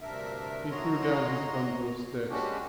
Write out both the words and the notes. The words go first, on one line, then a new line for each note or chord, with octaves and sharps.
He threw down his bundle of sticks.
D2 G2 C3 D4 A#4 E5
F#4 C#5 D#5 A#5 C6
G#3 C#4 D4 F#4 G4